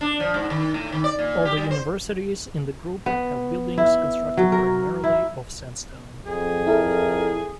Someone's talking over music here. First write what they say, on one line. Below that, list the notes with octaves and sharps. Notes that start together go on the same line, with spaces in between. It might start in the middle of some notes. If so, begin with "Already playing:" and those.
All the universities in the group have buildings constructed primarily of sandstone.
D4
F3
G#2
D#3
A2
D#3
D5
A#2
G4
G3
C5
B3
E4
F#3
A#4
E4
F2 G#4
E4 A4 A#4